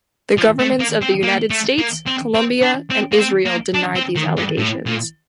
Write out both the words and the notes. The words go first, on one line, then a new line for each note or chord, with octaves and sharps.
The governments of the United States, Colombia, and Israel denied these allegations.
F3
A3
A#3
C4
A#3
A3
A#3
C4
C4
D4
C4
A#3
C4
A#3
D4
C4
D#3
G2
A2
A#2